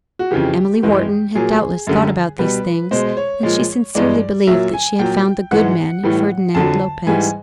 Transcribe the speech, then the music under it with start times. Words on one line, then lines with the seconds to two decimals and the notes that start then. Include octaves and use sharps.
Emily Wharton had doubtless thought about these things, and she sincerely believed that she had found the good man in Ferdinand Lopez.
0.19 F#4
0.31 F2 C#3 E3 G4
0.83 G2 E3 G#3
1.35 A#2 F#3 G#4
1.87 F#2 D3 G3
2.39 B2 G3 B4
2.91 B2 G#3 C5
3.17 C#5
3.43 A#2 F3 G#3
3.95 G2 E3 G#3 D5
4.47 A#2 F#3 E5
4.73 G#5
4.99 A#2 F#3 G5
5.51 G#2 E3 G#3 F#5
6.03 A2 E3 G3
6.55 F2 D3 F#3 A5
7.07 G#2 E3 G3 G#5